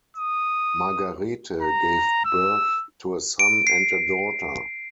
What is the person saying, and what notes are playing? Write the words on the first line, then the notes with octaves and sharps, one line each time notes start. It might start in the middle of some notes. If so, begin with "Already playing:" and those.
Margarete gave birth to a son and a daughter.
D#6
A#5
E6
D7
C7